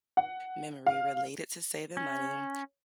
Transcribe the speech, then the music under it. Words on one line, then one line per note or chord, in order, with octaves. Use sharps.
memory related to saving money
F#5
F5
C#4